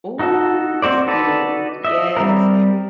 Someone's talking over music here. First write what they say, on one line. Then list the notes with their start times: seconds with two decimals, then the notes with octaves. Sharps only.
Ooh, that's good, yes.
0.19 D#4 F#4 A4
0.82 C4 F#4 C5 D5
1.07 D#4 F#4 A4 B4 D5
1.85 D#5 E5
2.17 G3 C4 A#4